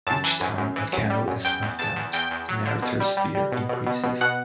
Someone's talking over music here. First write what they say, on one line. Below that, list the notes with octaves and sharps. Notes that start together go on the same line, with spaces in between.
Each time a candle is snuffed out, the narrator's fear increases.
F#2 A5
E3
F#2
F#2
E3
F#2
G3
F#2
E2 G5
E2
E2 A5
E2
E2 G5
E2
F#3
D3
B2
G3
G3
G3
B2
B2
B2
B2
B2 F#5